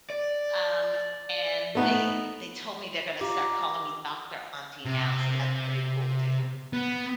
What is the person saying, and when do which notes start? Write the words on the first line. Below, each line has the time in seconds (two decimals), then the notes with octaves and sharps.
um, and they they told me they're gonna start calling me Doctor Auntie now, so that's pretty cool too.
0.10 D5
1.75 A3 B3 D#4
3.21 F4 G4 A#5 D6
4.85 C3
6.73 B3